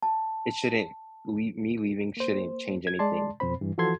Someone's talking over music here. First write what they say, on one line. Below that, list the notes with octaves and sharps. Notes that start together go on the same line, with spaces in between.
it shouldn't leave me leaving shouldn't change anything.
A5
A#3 C5
G#6
G#3 D5 A5 C6
F2 B2 C4 C5 B5
G2 E3
E3 F3 F#4 A4 C6 G#6